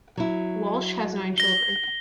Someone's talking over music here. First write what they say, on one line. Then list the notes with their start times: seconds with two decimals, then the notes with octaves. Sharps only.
Walsch has nine children.
0.17 F#3 E4
1.38 A#6 G7